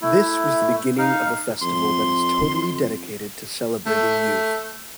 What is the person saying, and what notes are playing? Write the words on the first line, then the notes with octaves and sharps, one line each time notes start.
This was the beginning of a festival that is totally dedicated to "Celebrating Youth".
A3 E4
D#4 F5
F2 C6
A3